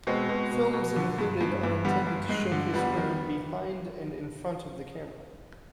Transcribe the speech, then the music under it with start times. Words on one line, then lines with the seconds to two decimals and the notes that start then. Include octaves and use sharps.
Films included are intended to showcase women behind and in front of the camera.
0.07 B2 G#3 C4
0.29 B2
0.51 B2
0.73 B2
0.96 D3
1.18 G2
1.41 G2
1.63 G2
1.85 D3 G3 B3
2.07 G2
2.29 G2 G#3
2.52 D3
2.74 F2 G3 B3
2.97 D#3